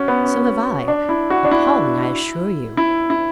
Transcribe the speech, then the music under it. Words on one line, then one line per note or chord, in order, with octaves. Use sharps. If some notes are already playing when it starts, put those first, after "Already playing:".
So have I. Appalling, I assure you.
Already playing: C#4 F#4
B3
C#4
D4
E4
F#4
D4
E4
E4
E4